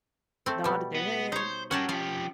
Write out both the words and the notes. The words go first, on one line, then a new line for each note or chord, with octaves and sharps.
Nodded their head.
A3 C4
B2 G3
B3
D#4 C5 C#5
C#4 F#4 G4 A#4 A5
F3 G4 F5